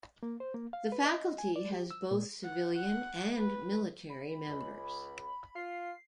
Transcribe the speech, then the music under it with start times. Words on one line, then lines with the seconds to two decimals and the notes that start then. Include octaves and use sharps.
The faculty has both civilian and military members.
0.23 A#3
0.40 C5
0.54 A#3
0.73 F5
0.92 B4
1.05 D#5
1.38 G#5
1.56 D5
1.72 G4
1.91 E6
2.11 A#2
2.44 F#5
2.75 F#5
3.34 B4
4.10 B5
4.49 C#2
5.56 F4 C7